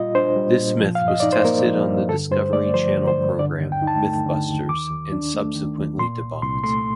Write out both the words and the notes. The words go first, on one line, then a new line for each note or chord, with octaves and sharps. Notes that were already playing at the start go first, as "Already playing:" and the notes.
This myth was tested on the Discovery Channel program "MythBusters", and subsequently debunked.
Already playing: A#2 G3 F4 D#5
D4 C5
G3
A#2
F3
F5
G2
D#5
D#4 D5
C5
A#3 A#4
F3
G2
D3 A4
G2 C5
A3 D5
F3 C5
D3
C5
G2
D3 D5
D#2
G5
D#4
A5
A3
D3
D#2
D#3 D6
D#2
D4
A3
D#3
D#2
A#2 C6
C2
C2 C6
A3 C6